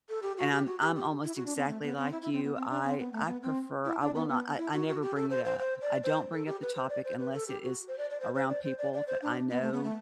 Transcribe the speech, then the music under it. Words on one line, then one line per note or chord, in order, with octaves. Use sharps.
and I'm I'm almost exactly like you, I I prefer I will not I I never bring it up. I don't bring up the topic unless it is around people that I know
A4
G4
F#4
G4
F#4
G4
G4
E4
F#4
D4
C4
A3
B3
C4
E4
E4
C4
B3
C4
D4
C4
B3
A3
B3
C4
E4
D4
B3
B3
E4
F#4
F#4
G4
A4
C5
C5
C5
D5
C5
A4
G4
B4
C5
D5
C5
B4
A4
G4
F#4
C5
D5
D5
C5
C5
D5
C5
D5
D5
C5
D4
B3
A3
B3
A3